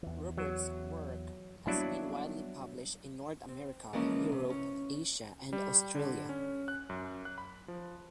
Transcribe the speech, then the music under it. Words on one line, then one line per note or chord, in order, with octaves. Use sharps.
Robert's work has been widely published in North America, Europe, Asia and Australia.
E2 E3
F#3
F#3 G3 A#3 B3 D4 E4
C4
E3 F3 G#3 A#3 C#4
C3
C#4
G3
D3
C#4
F#6
F#2
F#6
B5
F3